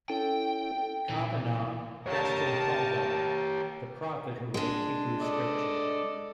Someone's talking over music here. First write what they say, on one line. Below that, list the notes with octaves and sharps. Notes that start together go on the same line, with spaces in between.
Kavanagh, Preston Huldah - The Prophet Who Wrote Hebrew Scripture.
C#4 E4 A4 G5
B1 A#2 E3
G4 A#4 C#5 A5
G#3 D4
A4 D5 D#5